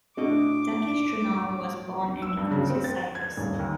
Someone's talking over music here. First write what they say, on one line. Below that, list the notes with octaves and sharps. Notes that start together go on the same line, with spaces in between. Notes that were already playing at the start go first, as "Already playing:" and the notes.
Dakis Joannou was born in Nicosia, Cyprus.
A2 D4 F#4 D#5 D6
E6
G2
C#3
C4
A6
G#6
D#1
D#2